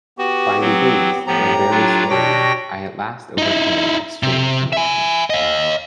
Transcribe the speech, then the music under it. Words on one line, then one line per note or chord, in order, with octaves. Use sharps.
By degrees, though very slowly, I at last overcame my strange emotion.
B3 F#4 G4
F#3 C4
A2 F3 B3 G4 A#5
F#3 D4 F4
B2 D4 G4 C#5 G5 A#6
D#4 E4
C3
E5 G#5
D#5 F5